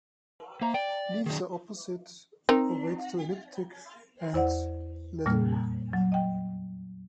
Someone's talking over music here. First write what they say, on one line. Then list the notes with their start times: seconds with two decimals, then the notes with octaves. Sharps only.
Leaves are opposite, ovate to elliptic, and leathery.
0.61 A#3 C5 E5 A#5
0.74 D5 G5
1.26 D#3 F#3 D4 G#4
2.49 C4 D#4 A#4
4.33 E2 E4 C5 D5 F#5
5.25 F2 A#2 G3 A#3 F6
5.93 F#3
6.12 D#5 G5